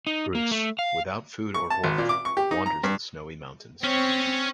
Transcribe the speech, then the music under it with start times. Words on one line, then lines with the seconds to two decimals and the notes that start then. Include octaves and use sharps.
Bruce, without food or warmth, wanders the snowy mountains.
0.07 D#4
0.35 A#3
0.51 A3
0.79 F5
1.54 C#6
1.70 A5
1.84 G#1
1.98 A#2
2.09 D6
2.25 C#6
2.37 G4
2.51 D#4
2.66 A#5
2.83 G2
3.84 C4 C#4 C#5